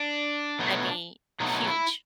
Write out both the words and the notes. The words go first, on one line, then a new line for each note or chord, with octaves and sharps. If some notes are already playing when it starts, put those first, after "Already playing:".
That'd be huge.
Already playing: D4
B2 F#3 A3
B2 F#3 A3 D#4
E4